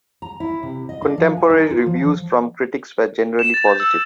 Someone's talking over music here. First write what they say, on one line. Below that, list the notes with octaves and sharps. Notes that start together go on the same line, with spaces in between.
Contemporary reviews from critics were generally positive.
A#5
E4
C3
D#5
D4
F3
G#5
D#4
F4
F3
F3
E7
A6
G6
E6